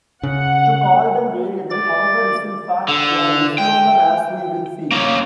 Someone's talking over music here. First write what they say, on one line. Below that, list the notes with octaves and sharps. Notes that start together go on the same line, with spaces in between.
To call them "variable", however, is in fact a misnomer, as we will see.
C#3 F#5
D5 A6
D3
G5
A#3 C#4